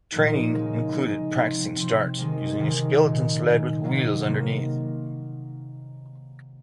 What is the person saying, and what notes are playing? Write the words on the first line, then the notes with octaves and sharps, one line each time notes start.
Training included practicing starts using a skeleton sled with wheels underneath.
A#2 F3 A#3 D#4
C#3 G#3 D#4
C#3 G#3 D#4
C3 F3 C4
C3 F3 C4
C3 D#3 G#3 D#4
C3 D#3 G#3 D#4
A#2 G#3 D#4
A#2 G#3 D#4
C3 F#3 A#3 D#4
C3 F#3 A#3 D#4